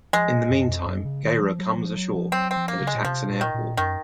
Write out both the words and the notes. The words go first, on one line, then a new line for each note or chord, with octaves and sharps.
In the meantime, Gaira comes ashore and attacks an airport.
F3 G#3
F#2
F2
F#2
C#3
D#3
F3
F#3
F3
F#3
F3
F#3 C4
C4
F3
A#3
C#3
G#3
A#2
C3 F3
A#2
D#3
A#2
F#2 D#3